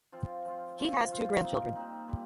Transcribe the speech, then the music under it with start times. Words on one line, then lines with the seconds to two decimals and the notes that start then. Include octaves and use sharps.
He has two grandchildren.
0.12 F3 C4 F4
0.45 F3 C4 F4
0.78 F3 C4 F4
1.11 F3 C4 F4
1.43 A#2 G3 C4 D#4
1.75 A#2 G3 C4 D#4
2.08 A#2 G3